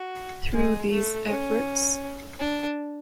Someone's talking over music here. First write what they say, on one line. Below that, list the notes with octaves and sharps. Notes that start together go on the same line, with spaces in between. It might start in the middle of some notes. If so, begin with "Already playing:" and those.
Through these efforts.
Already playing: F#4
G#3
A3
C#4
D4